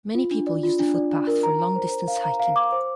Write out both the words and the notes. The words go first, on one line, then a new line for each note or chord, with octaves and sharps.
Many people use the footpath for long-distance hiking.
F4
D4
D5
F4
D4
D5
D4
A#4
A#5
A#5
C5
C5
F5
A#5
F5
D6
C5